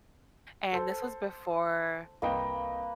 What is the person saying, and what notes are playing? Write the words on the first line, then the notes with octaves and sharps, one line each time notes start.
And this was before,
A4 C5
C2 A#3 B4 D#5 G5